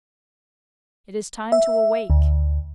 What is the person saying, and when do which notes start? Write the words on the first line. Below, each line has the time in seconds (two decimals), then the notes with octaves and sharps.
It is time to awake.
1.52 E5
2.10 D2